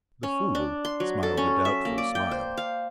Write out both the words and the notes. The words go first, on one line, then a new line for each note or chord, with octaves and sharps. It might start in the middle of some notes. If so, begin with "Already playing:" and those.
The Fool smiled a doubtful smile.
C#4
D4
C6
F#3
A4
C#4
E5
A#3
D5
G5
C5
F5